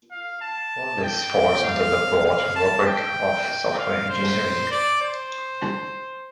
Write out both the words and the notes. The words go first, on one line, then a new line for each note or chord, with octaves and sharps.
All this falls under the broad rubric of software engineering.
F5
A5
G5
F5
F5
A5
G5
F5
C5
D5
C5